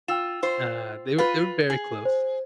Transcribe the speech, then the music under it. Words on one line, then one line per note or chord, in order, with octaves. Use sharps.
uh, they were they were very close,
F4 G5 E6 E7
F4 C5
F4 B4
G#4
C5